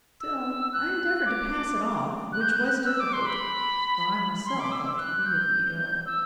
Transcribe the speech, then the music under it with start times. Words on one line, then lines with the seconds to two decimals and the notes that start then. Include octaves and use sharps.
Still, I endeavoured to pass it off, which was difficult, for I myself felt really ill.
0.20 E6
0.73 F#6
1.26 D6
2.33 F#6
2.41 G6
2.49 F#6
2.56 G6
2.65 F#6
2.86 E6
3.00 D6
3.13 C6
3.26 B5
4.46 C6
4.60 D6
4.72 E6
4.86 E6
4.99 F#6
5.26 G6
6.06 E6